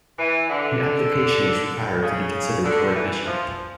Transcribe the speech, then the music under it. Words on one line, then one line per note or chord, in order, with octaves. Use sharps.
An application is required to be considered for admission.
E3
D3
C#3
D3
E3
F3